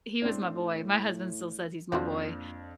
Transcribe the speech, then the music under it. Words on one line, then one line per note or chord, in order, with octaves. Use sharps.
eh, he was my boy, my husband still says "He's my boy,"
A2 C4 D4
F2 A#2 F3 C4 D4 F4 F#4